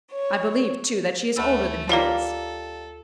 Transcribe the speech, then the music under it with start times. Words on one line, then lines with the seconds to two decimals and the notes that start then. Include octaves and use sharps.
I believe, too, that she is older than he is.
0.12 C#5
1.36 D2 A3 B5 E6
1.89 G3 A#3 F4 A4 C#5 F5